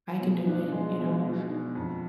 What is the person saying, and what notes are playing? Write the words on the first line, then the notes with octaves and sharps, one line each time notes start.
"I can do it," you know?
B2
D4
G#3
B2
B2
D4
F2